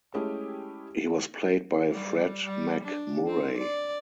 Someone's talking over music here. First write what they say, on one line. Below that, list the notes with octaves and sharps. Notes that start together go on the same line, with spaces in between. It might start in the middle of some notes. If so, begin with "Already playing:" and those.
He was played by Fred MacMurray.
G#3 A3 C#4 E4 G4 G#4
G3
G3
D4
C4
D5